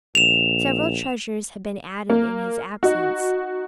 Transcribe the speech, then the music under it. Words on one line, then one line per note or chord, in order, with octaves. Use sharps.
Several treasures had been added in his absence.
A#1 E7 F7
A#3
D#4 F#4